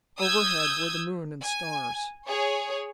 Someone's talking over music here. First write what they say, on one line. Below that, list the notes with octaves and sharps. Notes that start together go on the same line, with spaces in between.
Overhead were the moon and stars.
D#6 E6 G6 G#6
G#5
G#4 C#5